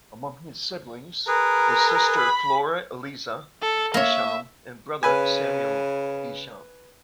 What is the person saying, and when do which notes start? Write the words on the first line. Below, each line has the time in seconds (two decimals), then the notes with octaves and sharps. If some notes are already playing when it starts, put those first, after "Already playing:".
Among his siblings was sister Flora Eliza Isham and brother Samuel Isham.
1.28 G#4 A#4 B4
2.18 B5
3.62 A4
3.94 A#3 C#5 E5
5.03 C#3 B4 G#5